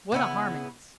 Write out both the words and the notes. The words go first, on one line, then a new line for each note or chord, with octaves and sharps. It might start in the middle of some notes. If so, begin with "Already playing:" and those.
What a harmonist!
C#3 B3 E4